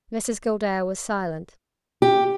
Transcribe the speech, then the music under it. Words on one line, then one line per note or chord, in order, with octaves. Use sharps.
Mrs Gildea was silent.
G4